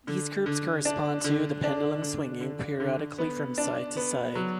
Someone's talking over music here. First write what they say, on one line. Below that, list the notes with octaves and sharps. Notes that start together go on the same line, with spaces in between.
These curves correspond to the pendulum swinging periodically from side to side.
D3
D3
D4
D3
D4
D3
D3
D3
B3
D4
B3
F#3